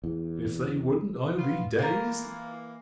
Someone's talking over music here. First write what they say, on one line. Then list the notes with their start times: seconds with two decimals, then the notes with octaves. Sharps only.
If they wouldn't I'll be dazed!
0.04 E2
1.38 B3 F4
1.79 E3 A#3 F4 A#4